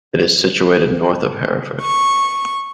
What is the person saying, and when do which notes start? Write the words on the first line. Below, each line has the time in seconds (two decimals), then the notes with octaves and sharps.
It is situated north of Hereford.
1.81 C#6